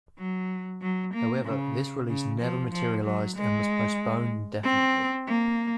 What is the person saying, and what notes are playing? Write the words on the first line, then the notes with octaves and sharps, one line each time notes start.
However, this release never materialized and was postponed indefinitely.
F#3
F#3
A#3
C#3
C#3
F3
F3
F#3
G#3
C4
A#3